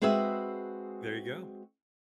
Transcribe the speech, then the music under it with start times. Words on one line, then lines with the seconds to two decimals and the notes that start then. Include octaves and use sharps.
There you go,
0.02 G#3 C4 F#4 G#4 B4 E5